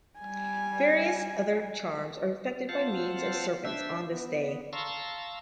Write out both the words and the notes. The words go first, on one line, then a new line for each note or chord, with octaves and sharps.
Various other charms are effected by means of serpents on this day.
G3 G#5
C4 F4 C5 F5 F#5 A5
D4 C5 E5 E6
B3
F5 A5 A#5 C6 C#6 E6